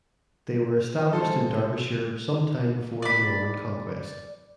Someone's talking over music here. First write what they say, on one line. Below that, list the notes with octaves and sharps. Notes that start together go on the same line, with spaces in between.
They were established in Derbyshire some time before the Norman conquest.
A1 C3 G#3 A4 C5
D5 B5